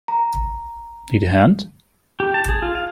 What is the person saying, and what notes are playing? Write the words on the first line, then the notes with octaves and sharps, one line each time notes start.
Need a hand?
A#5
G4
A5
G#4
F4
F5